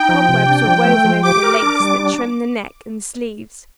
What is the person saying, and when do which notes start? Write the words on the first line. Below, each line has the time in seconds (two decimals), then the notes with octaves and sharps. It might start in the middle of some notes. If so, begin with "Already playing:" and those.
Cobwebs were woven over the lace that trimmed the neck and sleeves.
Already playing: D#4 G5
0.09 F3
0.29 C3
0.46 D4
0.66 F3
0.85 A3
1.05 F3
1.23 G4 D6
1.42 A#4
1.62 D4
1.80 G3
2.00 D4